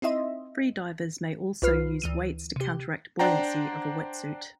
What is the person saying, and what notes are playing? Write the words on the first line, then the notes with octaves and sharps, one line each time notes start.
Free divers may also use weights to counteract buoyancy of a wetsuit.
C4 D#4 E4 D#5 E5 C6
C2 F4 B4 F6 C7
D2 E3 D#7
C3 G4
D4 C5 D5 F#5 G5 A#5